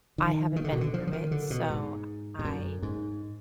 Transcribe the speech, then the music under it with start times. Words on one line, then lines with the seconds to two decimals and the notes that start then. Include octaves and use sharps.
I haven't been through it, so I
0.18 D#3
0.56 D#3
0.64 D3
0.72 B2
0.81 D3
0.94 F3
1.07 F3
1.13 D#3
1.31 D3
1.50 B2
1.70 G#2
2.39 G#2
2.45 F#2
2.83 G#2